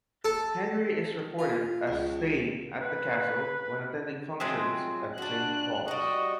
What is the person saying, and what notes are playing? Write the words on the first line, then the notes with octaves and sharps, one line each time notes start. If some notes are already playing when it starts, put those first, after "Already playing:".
Henry is recorded as staying at the castle when attending functions at Saint Paul's.
A4
F4
C#2
B4
F3 F#3 G#3 C4 G#4 E5
D4 F#4 F#6
G3 F#4 D#5 C#6